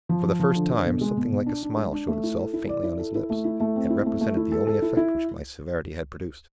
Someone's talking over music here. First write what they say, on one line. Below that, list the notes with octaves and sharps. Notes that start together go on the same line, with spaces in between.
For the first time, something like a smile showed itself faintly on his lips--and represented the only effect which my severity had produced.
F3
F3
F3
D3
D3
B2
G#3
B2
B2
D4
D4
G#3
D4
A3
E4
A4
E4
D5
E4
A4
E4
A3
E4
A3
C4
E4
A3
A3
E4
A4
A4
E4
E4